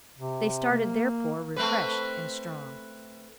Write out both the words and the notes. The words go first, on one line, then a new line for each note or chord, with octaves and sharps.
They started, therefore, refreshed and strong.
C3
A#3
A3 C4 B4